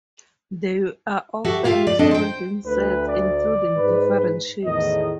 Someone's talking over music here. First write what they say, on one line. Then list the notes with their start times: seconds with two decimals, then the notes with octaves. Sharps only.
They are often sold in sets, including different shapes.
1.44 F#4 G4 A4 E5
1.64 E4 F4 G4 E5 F5
1.87 D5
1.99 C4 D4 A4 D#5
2.11 C5 G5
2.66 D2 B4
3.08 D5
3.77 G#2 B4
4.65 E2 A2 D#3 D#5